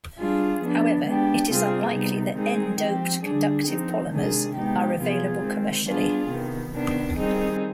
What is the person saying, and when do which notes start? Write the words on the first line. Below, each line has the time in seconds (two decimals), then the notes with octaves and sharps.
However, it is unlikely that n-doped conductive polymers are available commercially.
0.18 G3 D4 F4 G#4
0.61 F3 B3 D4
1.05 G#3 B3 D4 G4
1.48 C3 G3 C4 F4 G#4
1.92 C3 G3 B3 D#4
2.35 D#3 G#3 C4 D#4 G#4
2.79 F3 C4 G4
3.22 D3 G3 D4 G#4
3.67 F3 C4 D#4
4.10 C3 D#3 G#3 D4 G#4
4.54 G#3 B3 D#4 G4
4.97 C3 F3 B3 F4 G#4
5.41 D#3 G#3 C4
5.85 G3 B3 D4 F4 G#4
6.28 C3 D#3 B3
6.72 C3 D#3 B3 D4
7.15 D#3 G3 C4 D#4 G#4